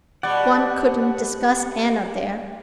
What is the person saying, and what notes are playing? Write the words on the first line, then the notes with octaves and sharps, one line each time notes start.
One couldn't discuss Anna there.
B2 G3 D5 F#5